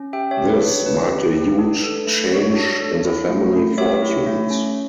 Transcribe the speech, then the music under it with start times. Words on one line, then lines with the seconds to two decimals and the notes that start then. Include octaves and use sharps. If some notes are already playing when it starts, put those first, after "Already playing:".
This marked a huge change in the family fortunes.
Already playing: C#4
0.13 G4 E5 G5
0.31 C#5 E5
0.37 G4
0.49 B4
0.61 D4
0.67 C#5
0.86 D4 B4
1.10 G4
1.35 G4
1.59 D4
1.84 A4
2.07 A3
2.32 F#4 C#5
2.56 D4
2.80 A4
3.05 E4
3.29 A3
3.53 A3
3.78 G4 C#5 E5
4.02 E4
4.26 A3
4.51 C#4